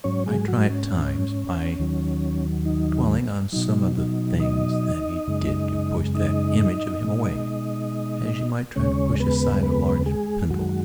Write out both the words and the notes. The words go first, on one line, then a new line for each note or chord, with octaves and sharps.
I try at times by dwelling on some of the things that he did to push that image of him away, as you might try to push aside a large pendulum.
G#2 F#3 C#4 C#5
G#3 G#4
F#3 F#4
C#4
D#2 D#3 F#3
D#4
B2 F#3 D#4
D#4
D#4 D#5
F#2 C#3 G#3
D#4 D#5
B2 G#3
D#2 C#3 G#3 C#4 C#5
B3 B4
B3 B4
G#3 G#4
F#2 D#3 F#3 G#3 F#4